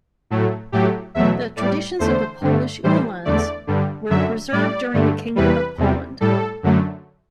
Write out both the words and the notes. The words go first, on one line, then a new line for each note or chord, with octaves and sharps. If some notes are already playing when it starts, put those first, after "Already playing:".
The traditions of the Polish uhlans were preserved during the Kingdom of Poland.
A2 F#3 A3
A2 F#3 A3 G4
E2 B2 F#3 A3 E5
A2 G3 D5
E2 D3 A3 C5
G2 D3 A3
A2 E3 G3 C5
E2 D3 A3 D5
G2 D3 G3
F#2 D3 F#3 E5
A2 G3 D5
G2 D3 A3
E2 C3 E3 G3 B4
E2 C3 G3
A2 G3 A4
F#2 D3 F#3 A3